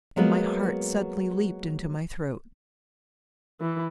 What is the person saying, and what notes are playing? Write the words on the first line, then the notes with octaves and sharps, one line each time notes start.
And my heart suddenly leaped into my throat.
F#3 G#3 A#3 B3
E3